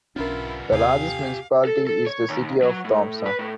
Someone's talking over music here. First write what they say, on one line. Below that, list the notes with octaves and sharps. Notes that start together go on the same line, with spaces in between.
The largest municipality is the city of Thompson.
B1 B3 C#4 D4 E4 F4 A#4
D#2 C3 G4 F5 G#5
A4
A4
C#5
D#2
F#3
A2
B4
A2